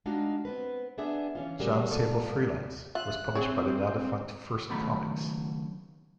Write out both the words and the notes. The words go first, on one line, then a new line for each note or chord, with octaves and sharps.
"Jon Sable Freelance" was published by the now-defunct First Comics.
G#3 D4 D#4 F4 F#4
B3 C4 B4
B3 D4 G#4 E5
E3 C#4 F4
A#2 G3 A#3 F#4 G#4
E2 G#2 B2 F4 A4 D5
F4 E5 F#6
C4 G#4 C#5
C#2 D#3 F#3 A3 A#5 B5